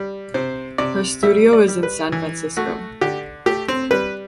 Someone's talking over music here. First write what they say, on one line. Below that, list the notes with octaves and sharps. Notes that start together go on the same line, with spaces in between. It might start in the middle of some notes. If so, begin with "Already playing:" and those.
Her studio is in San Francisco.
Already playing: G3
C3 C5
C3 D5
G3 E5
D5
G3
B4
E3
A3 F#4
D3 G4
A3 G4
C4
G3 B4